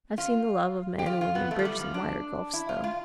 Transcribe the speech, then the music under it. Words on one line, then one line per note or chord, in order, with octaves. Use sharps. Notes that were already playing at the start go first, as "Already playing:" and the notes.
I've seen the love of man and woman bridge some wider gulfs though.
F4
G4
F4
F4
B3
A3
F3
G3
F3
D4
E4
F4
F4